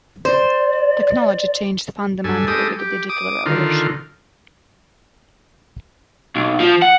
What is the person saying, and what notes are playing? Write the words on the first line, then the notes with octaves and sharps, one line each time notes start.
Technology changed fundamentally with the digital revolution.
C5 D5
G2 A4 G#5
G#3 G4 A4 D#6
G4
D6 D#6
D3 D#3 F4
B1
F3
F#5